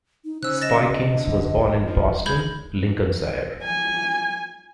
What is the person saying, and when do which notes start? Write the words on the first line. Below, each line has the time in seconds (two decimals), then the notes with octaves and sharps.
Spikings was born in Boston, Lincolnshire.
0.25 D#4
0.43 C#3 C5 E6 F#6
0.62 D#5 A6 A#6 E7
1.15 D3
1.84 F3
2.26 G#3 B5 G6 G#6
3.64 G#5